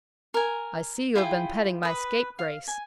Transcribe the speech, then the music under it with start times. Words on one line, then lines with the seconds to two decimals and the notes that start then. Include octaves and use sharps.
"I see you have been petting my scapegrace."
0.34 A#4 G#5
1.15 E4 F4 G#4 G5
1.83 B4 D#6
2.39 F5
2.68 G#5